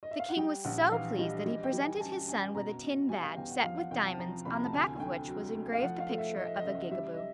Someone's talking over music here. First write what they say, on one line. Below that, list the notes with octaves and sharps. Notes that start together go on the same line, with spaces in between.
The King was so pleased that he presented his son with a tin badge, set with diamonds, on the back of which was engraved the picture of a Gigaboo.
D#5
E5
F5
F#5
G3 G5
A#1 F#5
F#5
E3 F5
G3 D#5
G3 D#5
G5
G3
G#5
G#5
F#2 A5
F#2 G#5
B2 A#5
B2
G3 G#5
F5
E2 G5
F#5
F3 F5
F#5
C2 G5
A5
F3 A#5
C2 B5
A#5
A5
D2 G#5
G#5
D3 G5
F#3
A3
F5
F3 F#5
F5
A3
E5
A3 D#5
E5
D#5
C#2 E5
D#5
G3 E5
D#5
E5